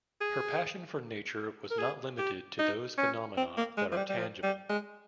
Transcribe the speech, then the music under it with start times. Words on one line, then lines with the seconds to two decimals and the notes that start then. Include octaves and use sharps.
Her passion for nature was not limited to those phenomena that are tangible.
0.21 G#4
1.71 A#4
1.79 G#4
2.18 G4
2.59 D#4
2.98 C#4
3.37 C4
3.57 A#3
3.77 G#3
3.92 F3
3.96 G3
4.09 G3
4.17 F3
4.43 G3
4.69 G#3